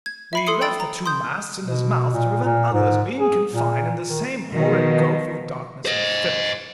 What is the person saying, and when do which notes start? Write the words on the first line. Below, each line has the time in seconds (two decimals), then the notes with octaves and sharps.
We left the two masts in his mouth, to prevent others being confined in the same horrid gulf of darkness and filth.
0.06 G#6
0.33 E5 B5 C7
0.46 A4 C6 D#6 C7 C#7
0.61 G5 B5 E6 A6 D7
0.80 A#5
1.06 C6 D#6 G6
1.64 B2
2.13 A#2
2.44 A#2
2.73 G#2
3.20 G#4
3.52 A#2
4.07 D#3
4.53 B2 D#3 F3
5.86 C5 D#5